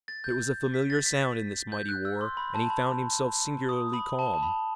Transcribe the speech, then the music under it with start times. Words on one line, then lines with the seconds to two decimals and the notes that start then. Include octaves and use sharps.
But it was a familiar sound in this mighty war, and he found himself singularly calm.
0.08 A6
0.24 G6
0.74 B6
0.90 A6
1.06 B6
1.72 G6
1.89 F#6
2.05 E6
2.21 C6
2.37 B5
2.54 A5
2.70 B5
3.69 D#6
3.93 B5
4.19 A5
4.34 A5
4.43 B5